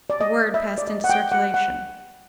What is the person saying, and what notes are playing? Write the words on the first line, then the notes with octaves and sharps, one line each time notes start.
The word passed into circulation.
D5
D#5
E5
D5
D#5
F#5
G5
F#5
F#5